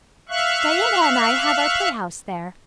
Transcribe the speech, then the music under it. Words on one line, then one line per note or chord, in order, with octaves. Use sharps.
Diana and I have our playhouse there.
E5 F5 C#6 F#6